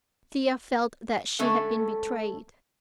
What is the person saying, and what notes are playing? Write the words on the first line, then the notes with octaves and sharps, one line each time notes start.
Thea felt that she had been betrayed.
D3 G#3 A3 C#4 A4